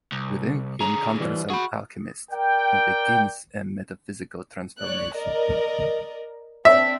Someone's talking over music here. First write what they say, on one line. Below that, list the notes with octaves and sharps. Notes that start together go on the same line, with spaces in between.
Within he encounters an Alchemist, and begins a metaphysical transformation.
C2
D3 G#4 A#5
E3 G3
F#4 G#4 B5
A#4 D5 G5
C#5 D5 F#6
A#4 D5 D#5
C4 D4 E5